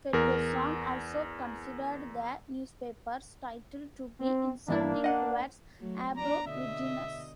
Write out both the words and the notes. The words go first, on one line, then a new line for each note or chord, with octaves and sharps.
Ferguson also considered the newspaper's title to be insulting towards Aborigines.
E2 A#4
C4
E2 G2 A#3 D4 E4
D#5 F#5
F#3 A3
E2 D4 D5 A#5
B2 D3 D#5 E5